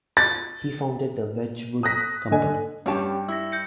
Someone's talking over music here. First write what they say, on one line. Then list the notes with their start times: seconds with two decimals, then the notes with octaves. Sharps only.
He founded the Wedgwood company.
0.17 A6
1.83 D#6 F#6 A#6 B6
2.31 D3 D#5 G#5
2.86 G2 G3 C#4 G4 G5 A5
3.29 E4 E6 A#6
3.52 G6 A#6 C#7